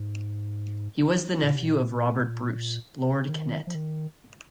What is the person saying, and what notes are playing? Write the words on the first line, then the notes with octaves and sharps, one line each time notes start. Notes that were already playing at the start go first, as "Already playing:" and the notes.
He was the nephew of Robert Bruce, Lord Kennet.
Already playing: G#2
A#2
C3
A#2
D#3
F3
D#3